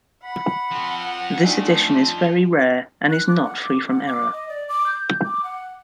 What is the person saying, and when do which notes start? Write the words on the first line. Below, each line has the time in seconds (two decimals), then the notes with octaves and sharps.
This edition is very rare, and is not free from error.
0.24 F#5 B5
0.72 F3 C4
1.41 A3 D4 D#4 G#5
3.10 F#6
3.28 D6
3.45 F#5
3.63 D6
3.89 F#5
4.07 D6
4.32 D#5
4.49 D5
4.69 D6
4.87 G6
5.24 D6
5.44 F#5